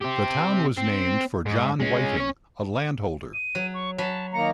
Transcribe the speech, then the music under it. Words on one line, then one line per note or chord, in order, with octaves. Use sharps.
The town was named for John Whiting, a landholder.
C4 G4
C4
G#2
G#3 C#4
C#4 C#5
D#7
F#3
C#6
F#3 A5 B5
D#3 A#3 A#5 C#7